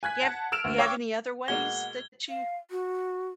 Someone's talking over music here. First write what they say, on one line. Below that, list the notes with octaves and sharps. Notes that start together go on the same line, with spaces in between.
Do you have do you have any other ways that you
G#5 F#6 G#6 B6
F#5 A5
E6 F6 D7 E7 F7
D2
C#5 F5 G5 D6 E6
B2 G#3 A#3 F#5 G#6 G7
F5
F#4